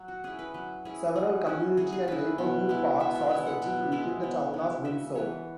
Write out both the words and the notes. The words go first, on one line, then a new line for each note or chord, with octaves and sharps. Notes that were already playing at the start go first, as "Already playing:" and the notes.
Several community and neighborhood parks are settled within the Town of Windsor.
Already playing: F#3
F#4
C#4 E4 G#4
B4
F#3 B4
C#4 E4 G#4
F#3 G#4
C#4 E4 F#4
F#3 G#4
G#4
C#4 E4 B4
B2
G#3 B3 E4
B2 E5
E5
G#3 B3 E4 E5
F#5
B2
G#3 B3 E4
B2
G#3 B3 E4
C#3 E5
E3 B3 C#5